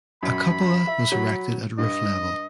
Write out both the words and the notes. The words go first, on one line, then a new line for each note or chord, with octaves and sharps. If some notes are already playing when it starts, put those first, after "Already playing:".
A cupola was erected at roof level.
F#2 B5
E5
F#3
G2 D#5